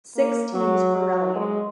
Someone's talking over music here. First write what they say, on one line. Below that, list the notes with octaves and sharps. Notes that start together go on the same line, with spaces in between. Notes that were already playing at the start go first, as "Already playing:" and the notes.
Six teams were relegated.
A#3
F#3
F#3
G#3